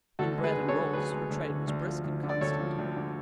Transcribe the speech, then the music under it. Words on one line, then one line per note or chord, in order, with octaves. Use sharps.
In bread and rolls her trade was brisk and constant.
D2 F#4 A4
G#3
G#4 B4
D2
A4 C#5
D3
D2 G#4 B4
G#3
D2
D3
D2
F3
D2
D3
D5
D2 A4 C#5
F3
D2
D3